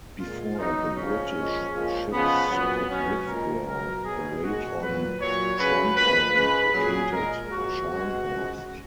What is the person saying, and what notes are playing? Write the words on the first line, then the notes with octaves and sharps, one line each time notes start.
Before the British ships could withdraw, a raid on Trondheim located "Scharnhorst".
A#2 G#3 F4
B2 F#3 D#4
C#3 F3 G#3 C#4
A#2 F3 G#3
A#2 F3 G#3
C#3 F3 G#3 B3
A#2 F#3 B3
B2 F#3 C#4
A#2 F3 G#3 A#4
B2 F#3 A#4
B2 F#3 G#4
A#2 G#3 F#4
A#2 F#3 B4
A#2 F#3 C#5
C#3 F#3 B4
A#2 F3 G#3 B4
C#3 F3 G#3 B4
A#2 F#3 G#4
A#2 G#3 A#4
A#2 F3 G#3 F#4
B2 G#3 F#4
C#3 F3 G#3